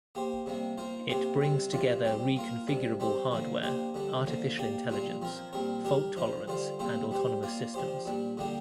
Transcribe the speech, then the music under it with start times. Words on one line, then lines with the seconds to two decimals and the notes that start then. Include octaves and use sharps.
It brings together reconfigurable hardware, artificial intelligence, fault tolerance and autonomous systems.
0.15 A#3 G4 C5
0.46 C3 G3 A#3
0.78 A#3 F4 C5
1.09 C3 A#3 G4 C5
1.41 C3 G3 C4
1.73 C3 F3 D4 F4 D5
2.05 G3 C4 G4
2.36 A#3 F4 A#4
2.68 C3 G3 D4
3.00 G3 C4 G4 C5
3.31 D3 F3 A#3
3.63 A#3 D4 G4 C5
3.94 D3 G3 D4
4.26 D3 F3 A#3
4.58 A#3 G4 D5
4.89 A#2 G3 A#3 D4 F4
5.22 F3 C4 A#4
5.53 A#2 G3 C4 A#4
5.84 G3 D4 G4 A#4
6.16 F3 D4 F4 C5
6.48 D3 G3 D4 F4 C5
6.79 A#2 G3 C4 F4 C5
7.11 G3 D4 G4 C5
7.43 A#3 F4 D5
7.74 F3 D4 G4 C5
8.06 A#2 G3 D4
8.37 D3 G3 A#3 D4 G4